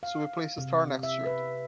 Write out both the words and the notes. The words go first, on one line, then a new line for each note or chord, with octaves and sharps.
So we place a star next to it.
F5
C3
E5
B4